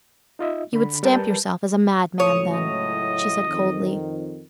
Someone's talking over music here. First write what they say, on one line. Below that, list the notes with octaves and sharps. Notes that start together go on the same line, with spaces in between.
"You would stamp yourself as a madman, then," she said coldly.
D#4 F4 D#5 E5
D3 B5
G3 A#4 B4 A5 G6
C#2 A2 F#3 C#5 D#6
D#5
F2 D#3